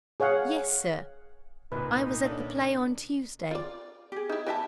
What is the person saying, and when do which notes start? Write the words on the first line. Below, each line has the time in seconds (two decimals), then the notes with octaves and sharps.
"Yes, sir, I was at the play on Tuesday."
0.20 G#4 C#5 F5 F#5
1.72 C2 A#2 D#4 B4
2.25 C#4 D4 A4
3.51 F4 D5
4.12 G4 G#4
4.29 D#4 E4
4.47 E3 G3 E4 D#5 E5 A5